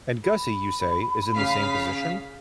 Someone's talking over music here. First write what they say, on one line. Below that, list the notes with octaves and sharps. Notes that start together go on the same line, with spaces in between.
And Gussie, you say, is in the same position?
B5
C#3 F5 B6